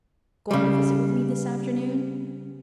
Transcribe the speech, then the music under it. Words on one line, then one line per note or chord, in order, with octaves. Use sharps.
Going to visit with me this afternoon?
C#3 G3